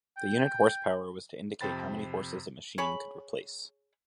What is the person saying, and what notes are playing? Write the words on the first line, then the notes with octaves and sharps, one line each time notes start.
The unit horsepower was to indicate how many horses a machine could replace.
G5
F2 C3 C5 G5 B5 A6
G#4 C#5 B5